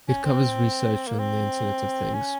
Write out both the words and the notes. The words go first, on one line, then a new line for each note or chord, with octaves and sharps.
It covers research on the Internet of things.
C#4
C4
A#3
C4
C#4